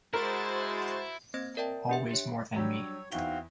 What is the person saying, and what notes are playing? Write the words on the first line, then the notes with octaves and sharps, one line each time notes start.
Always more than me.
G#3 E4 F#4 A#4 C5 A6
A#3 C4 C5 D#5 G#6 A#6
A#4 D5 E5 G5 A5
D4 G4 E5
G4 C#5
F#3 G3 D4 G4 C#5 E6
E2 C4 D#4 E4 F#4 F5 G7